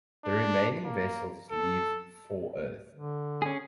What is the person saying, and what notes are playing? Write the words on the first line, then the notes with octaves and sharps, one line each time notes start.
The remaining vessels leave for Earth.
D4
A#3
A4
D3
C#4 G#4